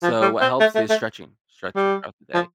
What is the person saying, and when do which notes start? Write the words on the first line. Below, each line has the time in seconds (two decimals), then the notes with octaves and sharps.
So what helps is stretching; stretching throughout the day.
0.03 F3
0.21 G3
0.41 C4
0.60 A3
0.75 A3
0.89 A3
1.76 G3
2.34 F3